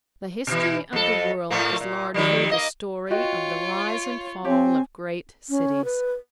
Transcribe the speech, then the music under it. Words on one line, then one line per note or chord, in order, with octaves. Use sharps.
The history of the world is largely the story of the rise and fall of great cities.
B2 E3
F2 A4
A2 A3 A#3
A#2
D#3 F3 G3
A#3 D#5
F4 F#4 C#5 D#5 G5
C4 G4 C#5 G#5
C#4
B4